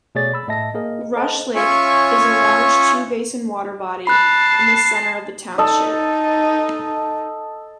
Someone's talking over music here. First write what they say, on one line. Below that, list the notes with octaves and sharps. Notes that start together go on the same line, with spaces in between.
Rush Lake is a large two-basin water body in the center of the township.
B2 A3 G#4 C#5 D5 A6
B5 E6
A2 A3 D#5 E5 A5 A#6
A#3 G#4 A#4 D#5
A4 C5 D#5 A5
C#4 F4 C#5 E5 G#5 C#6
A5 B5 F#6 C7
D#4 A4 D#5